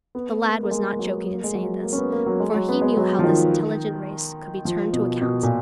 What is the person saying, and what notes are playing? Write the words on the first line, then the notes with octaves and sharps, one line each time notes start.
The lad was not joking in saying this, for he knew how this intelligent race could be turned to account.
B3
A#3
A#3
G#3
F#3
A#3
G#3
F#3
A#3
C#4
B3
A#3
F#3
G#3
F#3
B3
G#3
F#3
F3
D#3
F3
B2
B2
A#2